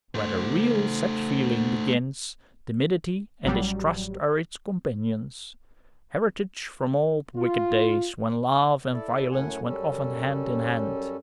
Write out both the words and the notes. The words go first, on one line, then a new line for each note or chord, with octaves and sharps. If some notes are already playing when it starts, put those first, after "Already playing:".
Where the real sex feeling begins, timidity and distrust are its companions, heritage from old wicked days when love and violence went often hand in hand.
A3 C5
A1 F#3 G3
F4
E4 A4 D5
F#2 A2 A3 F#5 G#5
F#2 G3 C#4 A4